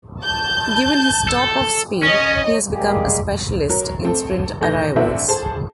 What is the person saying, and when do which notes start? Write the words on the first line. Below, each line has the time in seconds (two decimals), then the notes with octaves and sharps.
Given his top of speed, he has become a specialist in sprint arrivals.
0.23 A5 G6
1.29 A4
2.03 C#4 C#5 D#5
2.71 G3 G#3 A#3 G4 G#4
3.69 F#3 A#4
4.03 A3 C4 A4
4.61 F1 A2 E3 D#4 G6 A#6
4.96 A#1 A3 C4 E4 E5 F#5
5.28 G#4 A4 C5 A5